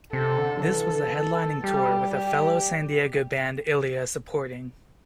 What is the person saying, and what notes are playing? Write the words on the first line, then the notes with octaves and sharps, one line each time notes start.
This was a headlining tour with fellow San Diego band, Ilya supporting.
C3 A4
D3
F#3
E3 A4
G3 G4
G4